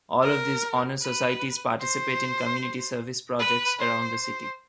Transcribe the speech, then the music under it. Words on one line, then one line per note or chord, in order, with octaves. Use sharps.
All of these honor societies participate in community service projects around the city.
A#4
B4
C5
B4
C5
C5